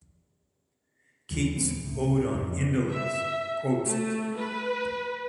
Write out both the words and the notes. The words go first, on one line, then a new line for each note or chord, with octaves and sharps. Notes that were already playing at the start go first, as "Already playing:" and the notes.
Keats' "Ode on Indolence" quotes it.
D#2 D3 E3 F3
D#1 G#3 B3 C4
C#2 A2
F2
E5
A3
B4